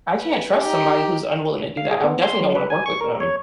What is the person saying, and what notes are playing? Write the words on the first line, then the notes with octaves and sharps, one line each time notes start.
I can't trust somebody who's unwilling to do that, I definitely don't wanna work with them.
B4
D#4 G4
F5
G#4
B3
C6
F#3
B4
G#5
C#6
A#4
C#5